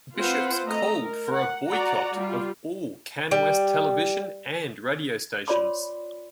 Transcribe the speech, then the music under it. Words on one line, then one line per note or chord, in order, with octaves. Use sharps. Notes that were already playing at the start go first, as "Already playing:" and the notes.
Bishops called for a boycott of all CanWest television and radio stations.
C4 F4 B4 C5 F#5
A3 D#5 A#5
A#4
F#5
F#4 D5 F#5 A#5
G3 F4
G3
F4 C#5 D5 B5 C6 D6